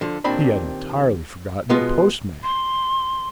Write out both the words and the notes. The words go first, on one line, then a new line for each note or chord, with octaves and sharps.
He had entirely forgotten the postman!
D3 F3
D#2 A#2 C4 D4 B5
B2 G#3 B3 F4
C6